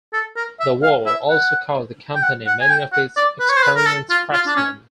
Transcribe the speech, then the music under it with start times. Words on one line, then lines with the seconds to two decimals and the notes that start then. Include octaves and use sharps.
The war also cost the company many of its experienced craftsmen.
0.13 A4
0.36 A#4
0.60 E5
0.83 F5
1.07 E5
1.30 F#5
2.15 G5
2.23 F#5
2.47 F#5
2.61 G#5
2.70 G5
2.93 F#5
3.16 D5
3.40 B4
3.50 C#5
3.57 C5
3.63 B4
3.76 A#4
3.86 A4
4.10 F4
4.33 F4
4.47 D4
4.56 C#4